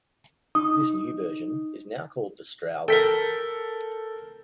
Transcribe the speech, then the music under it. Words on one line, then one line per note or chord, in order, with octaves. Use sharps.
This new version is now called the Strowler.
D#4 D#6
A4 A#4 G5 B6